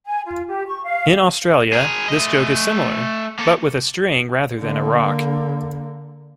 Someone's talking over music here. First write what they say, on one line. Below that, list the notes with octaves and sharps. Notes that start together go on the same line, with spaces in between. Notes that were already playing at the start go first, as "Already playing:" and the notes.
In Australia this joke is similar but with a string rather than a rock.
G#5
F4
G4
C#6
F5
G#4 A#4
A3 D#5
A#3 A4
D3 A#3